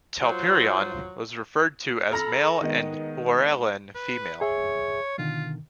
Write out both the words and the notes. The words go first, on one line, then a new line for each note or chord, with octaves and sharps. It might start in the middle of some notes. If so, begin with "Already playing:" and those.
Telperion was referred to as male and Laurelin female.
F#3 F4 C5
A4 A#5 B5 F6 A#6
D#3 G#3 B3 D#4
B4
G#4 C#5 E5
B2 D3 D#3 F4